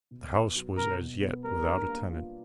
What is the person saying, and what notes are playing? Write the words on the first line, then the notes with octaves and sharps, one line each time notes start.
The house was as yet without a tenant.
B2
B3
F#3
B2 A#4
B2
B3
G3 A#4
D4
A#3
F4